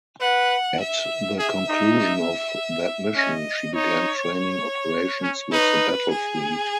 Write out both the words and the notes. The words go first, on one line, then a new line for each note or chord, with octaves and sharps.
At the conclusion of that mission, she began training operations with the Battle Fleet.
B4 F#5
E5
G#4 E5
D#4
E5
C#4 D#5
D#4 C#5
C#4
D#4 B4
G#4